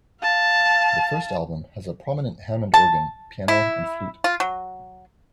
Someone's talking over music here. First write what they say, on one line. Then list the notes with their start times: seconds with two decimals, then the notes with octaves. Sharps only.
The first album has a prominent Hammond organ, piano and flute.
0.21 F5 A5
2.74 A5
3.48 E4
4.24 F4
4.40 F#3